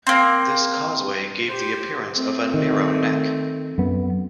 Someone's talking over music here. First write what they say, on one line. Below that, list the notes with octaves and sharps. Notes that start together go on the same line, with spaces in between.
This causeway gave the appearance of a "narrow neck".
A#3 C4
G4 C5
A3 C4
D#3
F#2 B3